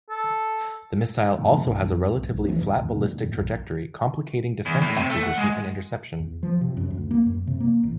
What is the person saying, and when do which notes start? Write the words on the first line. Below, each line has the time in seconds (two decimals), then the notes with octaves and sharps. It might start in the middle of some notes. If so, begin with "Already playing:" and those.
The missile also has a relatively flat ballistic trajectory, complicating defense acquisition and interception.
0.10 A4
1.39 G2
1.51 C3
1.66 A#1
1.81 F2
2.15 A#1
2.31 B1
2.45 E3
2.61 C#2
2.81 D#2
2.95 A#2
3.24 D#2
3.37 A#1
4.66 E2
4.81 A2
4.97 C3
5.10 A3
5.23 F#5
5.37 G#3
6.20 E2
6.43 F3
6.61 C3
6.77 F#2
6.90 D2
7.11 A#3
7.26 F#2
7.47 C3
7.60 A#3
7.83 A1